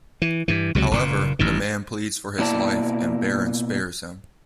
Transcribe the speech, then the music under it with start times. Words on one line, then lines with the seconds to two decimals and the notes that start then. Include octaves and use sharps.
However, the man pleads for his life and Baran spares him.
0.22 E3
0.48 G2 E3
0.75 C#2 C3 D#3 F#3
0.91 F#1 A#2
1.39 A1 G2 D#3
2.39 B2 A#3 E4 D5 A5